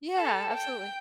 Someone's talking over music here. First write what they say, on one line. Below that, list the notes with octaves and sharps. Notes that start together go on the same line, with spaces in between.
Yeah, absolutely.
A4
G5